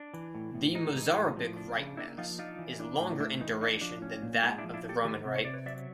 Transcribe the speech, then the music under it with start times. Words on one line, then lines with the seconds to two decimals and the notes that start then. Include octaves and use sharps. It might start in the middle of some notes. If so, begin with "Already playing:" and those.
The Mozarabic Rite Mass is longer in duration than that of the Roman Rite.
Already playing: D4
0.14 E3
0.35 A2
0.55 A2
0.75 G#3 D#4
0.96 E3
1.16 A2
1.37 F3
1.56 D4
1.77 C#3
1.97 A#3 D4 E4
2.18 F3 D#4 F4
2.39 D4 D#4 F4
2.59 E3
2.80 D4
3.00 A2
3.20 A3 D4 E4
3.41 E3 D#4
3.61 D4 D#4
3.81 F3 D4
4.02 C#4
4.22 A#2
4.43 G#3 D#4
4.58 D4 E4
4.64 F3
4.74 D4 E4
4.84 C#4
4.89 G4 A4
5.04 D#3 G4 A4
5.25 C3
5.36 C#5
5.45 C3 D5
5.54 B4 C#5
5.66 F#3 D5 E5